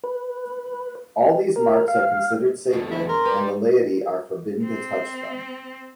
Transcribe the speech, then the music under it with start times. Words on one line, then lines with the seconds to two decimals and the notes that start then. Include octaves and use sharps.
All these marks are considered sacred, and the laity are forbidden to touch them.
0.04 B4
1.56 A#4
1.88 F5
2.73 E2 B2 D3 A3 C4
2.91 E4
3.09 A#4 C6
3.25 G4 B4 D5
4.64 C4